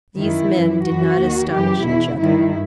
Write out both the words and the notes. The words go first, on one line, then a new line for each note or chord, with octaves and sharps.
These men did not astonish each other.
F#2 D#3 E4
F#2 E3
F#2 E3 F#4
D#2 D#3
F#2 E3 G4
E2 B2 E4
G2 D#3 E4